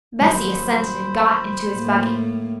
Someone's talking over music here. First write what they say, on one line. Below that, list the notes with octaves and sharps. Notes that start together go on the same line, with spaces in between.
Bessy assented and got into his buggy.
D#1 F#3 C5 B5
A2 A#3